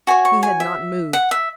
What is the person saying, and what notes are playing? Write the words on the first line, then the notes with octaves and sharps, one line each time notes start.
He had not moved.
F#4 C#5 G#5
C#6
G#5
E5
F#5
E5